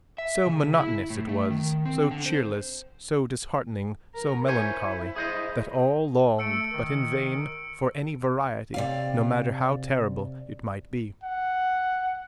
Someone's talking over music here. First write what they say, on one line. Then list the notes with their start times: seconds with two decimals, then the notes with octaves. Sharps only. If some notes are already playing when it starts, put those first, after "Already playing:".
So monotonous it was, so cheerless, so disheartening, so melancholy, that all longed, but in vain, for any variety, no matter how terrible it might be.
0.18 E5
0.47 C#3
0.74 E4
1.10 A2
1.29 A3
1.50 D#3
1.85 C4
2.11 D3
2.26 C5
4.15 A#4
4.48 E4 C5 C#5 G#5
5.16 G#4 C5 D#5
6.39 A3 E6 C#7 D7
6.73 D#3
8.74 C3 D5 F5
11.23 F#5